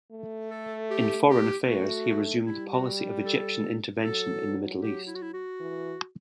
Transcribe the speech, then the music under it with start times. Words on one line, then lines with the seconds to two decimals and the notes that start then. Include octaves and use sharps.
In foreign affairs, he resumed the policy of Egyptian intervention in the Middle East.
0.12 A3
0.50 A4
0.90 G4
1.29 G4
1.68 A3 F#4
2.46 G3 E4
2.72 F#4
3.25 A4
4.03 F#3 A4
4.82 G4
5.07 E4
5.15 F#4
5.22 E4
5.34 F#4
5.60 E3